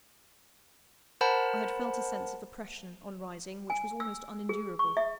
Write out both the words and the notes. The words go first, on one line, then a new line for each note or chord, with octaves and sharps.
I had felt a sense of oppression, on rising, which was almost unendurable.
A#4 C5 F#5 A5 B5
G#5
E6
G#4
C#6
E5